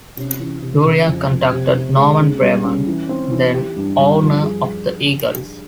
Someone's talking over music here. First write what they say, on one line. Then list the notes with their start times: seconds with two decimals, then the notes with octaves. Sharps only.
Lurie contacted Norman Braman, then-owner of the Eagles.
0.17 C3
0.40 E3
0.61 C3
0.85 C#3
1.07 F2
1.29 F2
1.52 C3
1.74 C3
1.97 G#3
2.19 C#4
2.42 G3
2.64 C#4
2.87 E3
3.09 C4
3.31 E3
3.54 G4
3.76 G2
3.99 G3
4.21 F3
4.44 G#4